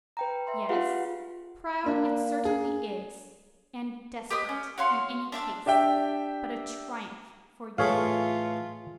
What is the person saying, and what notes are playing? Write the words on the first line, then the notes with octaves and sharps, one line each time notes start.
Yes, proud it certainly is, and desperate in any case, but a triumph for you.
B4 G5 A#5
E5 C6
F4 G4 G#4 B4 F5 F#5
A#3 D4
G#4
G4 B4 D#5 D#6
C#4
F#4 C#5 F5 C6
D4 E5 D6
D4 G4 E5 G5
A2 E3 A3 F4 G#4 C#5 F5